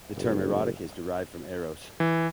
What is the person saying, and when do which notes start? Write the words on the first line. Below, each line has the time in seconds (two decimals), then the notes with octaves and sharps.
The term "erotic" is derived from "eros".
0.17 F#1
2.00 E3